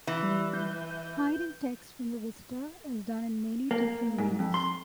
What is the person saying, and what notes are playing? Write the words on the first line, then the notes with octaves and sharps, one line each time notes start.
Hiding text from the visitor is done in many different ways.
E3
G3
G6
A#3
G#2
F2
C6